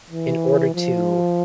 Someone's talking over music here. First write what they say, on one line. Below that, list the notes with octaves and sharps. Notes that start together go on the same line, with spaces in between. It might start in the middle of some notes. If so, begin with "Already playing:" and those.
in order to
E3
F3